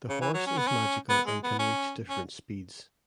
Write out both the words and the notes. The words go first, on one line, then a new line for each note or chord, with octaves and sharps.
The horse is magical and can reach different speeds.
C#3
E3
F#3
C#4
B3
C#4
B3
G#3
B3
C#4
C#4